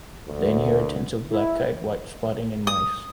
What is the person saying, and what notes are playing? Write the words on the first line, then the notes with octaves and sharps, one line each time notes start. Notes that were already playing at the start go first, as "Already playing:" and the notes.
The inheritance of black-eyed white spotting in mice.
D2
E4
D#6